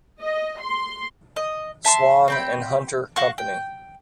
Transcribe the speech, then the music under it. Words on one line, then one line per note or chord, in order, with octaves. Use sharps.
Swan and Hunter Company.
D#5
C6
D#5
E5 A5 B5 C6
C4 G5 B5
F#4 F5 F#5 C#6
G5